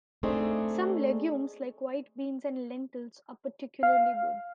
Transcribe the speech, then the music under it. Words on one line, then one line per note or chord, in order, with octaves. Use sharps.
Some legumes, like white beans and lentils are particularly good.
A3 C4 D4 D#4 G#4
F5